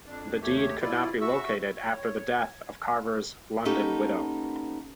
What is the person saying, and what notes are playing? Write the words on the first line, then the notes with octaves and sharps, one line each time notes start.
The deed could not be located after the death of Carver's London widow.
F2 D4
D#2 A3 G4 C#5
B2 E4 F4 D5
F#4 E5 C#6 E6
C#5
A#3 B3 C#4 D#4 G4 A4